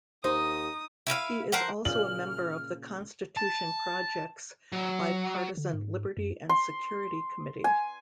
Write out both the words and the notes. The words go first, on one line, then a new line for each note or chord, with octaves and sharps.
He is also a member of the Constitution Project's bipartisan Liberty and Security Committee.
D#2 D#4 C5 D#6
E4 B4 C5 F5
F3 A#4 C5 F#5
A#2 C#3 F6 F#7
A5
F#3
D3
G#2
F#2
C6
G#5